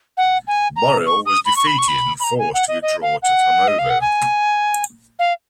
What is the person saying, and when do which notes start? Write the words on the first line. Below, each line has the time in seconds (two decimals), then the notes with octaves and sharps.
Boril was defeated and forced to withdraw to Tarnovo.
0.17 F#5
0.47 G#5
0.76 A#5
1.06 C#6
1.26 D#6
1.45 B5
1.56 C#6
1.67 B5
1.78 C#6
1.88 B5
2.20 B5
2.24 A#5
2.39 G#5
2.54 F#5
2.68 D#5
2.82 D#5
3.02 F5
3.22 F#5
3.68 D#5
3.79 F5
3.90 F#5
4.01 G#5
5.19 F5